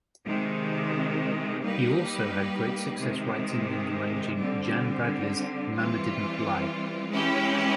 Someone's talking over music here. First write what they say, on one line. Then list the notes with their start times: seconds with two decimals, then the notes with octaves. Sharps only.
He also had great success writing and arranging Jan Bradley's "Mama Didn't Lie".
0.25 C3 D#3 G#3
1.62 G3 A#3 D#4 G4 B4
2.99 C3 D#3 G#3
4.36 D3 G3 C4
5.74 E3 G3 C4 F4
7.11 E3 G#3 C#4 E4 G4